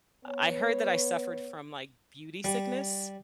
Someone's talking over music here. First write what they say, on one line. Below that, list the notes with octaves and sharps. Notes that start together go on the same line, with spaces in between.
I I heard that I suffered from, like, beauty sickness
B3 C#5
G3